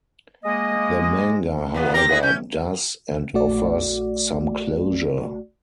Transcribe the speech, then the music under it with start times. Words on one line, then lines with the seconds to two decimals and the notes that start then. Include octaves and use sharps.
The manga, however, does and offers some closure.
0.43 G#3 A#3 D#5
1.74 E2 A#2 B3
1.94 C4 G4 A#4 A#6
2.09 B3 E4 G#4
2.23 C#4 G6
3.33 A#1 A3 F#4 D5